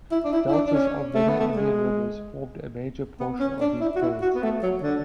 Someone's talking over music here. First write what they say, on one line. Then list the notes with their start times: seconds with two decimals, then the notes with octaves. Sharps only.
Deltas of many of India's rivers form a major portion of these plains.
0.12 E4
0.25 D4
0.32 E4
0.48 E4
0.53 D4
0.67 D4
0.74 C#4
1.15 A3
1.28 B3
1.40 A3
1.56 G#3
3.20 B3
3.40 C#4
3.61 D4
3.81 E4
3.96 F#4
4.02 E4
4.22 F#4
4.35 B3
4.43 A3
4.63 F#3
4.83 D3